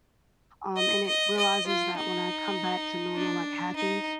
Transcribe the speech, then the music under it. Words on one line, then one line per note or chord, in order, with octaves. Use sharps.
um, and it realizes that when I come back to normal like, happy,
D#5
D#5
D#5
F4
D#4
D4
D#4